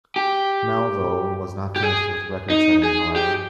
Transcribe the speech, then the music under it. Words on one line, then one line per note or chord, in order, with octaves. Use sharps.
Melville was not finished with record-setting, however.
G4
G4
G#4
D#4
G#4
G4